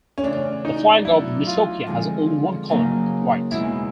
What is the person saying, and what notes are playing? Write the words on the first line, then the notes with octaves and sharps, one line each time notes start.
The flag of Nutopia has only one colour: white.
C#4
E2 C#3 E3 A3 D4
D#4
F#3 B3 D4 E4 F#4
F4
D3 F3 G#3 C4
C#3 F#3 A#3 D#4
E2 B2 G#3 B3 D#4 E4